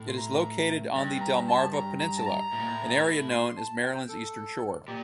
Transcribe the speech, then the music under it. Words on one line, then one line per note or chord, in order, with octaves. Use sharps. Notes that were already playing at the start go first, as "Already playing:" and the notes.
It is located on the Delmarva Peninsula, an area known as Maryland's Eastern Shore.
Already playing: A2
C6
A#5
G2
A#5
A5
A#5
A#5
A5
A#5
A2
A#2
A2
A2
C6
A5
G5
A4
A#2 G4